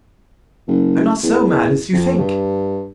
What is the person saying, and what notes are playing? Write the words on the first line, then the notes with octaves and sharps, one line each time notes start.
I'm not so mad as you think.
F#1
E2
F2
G2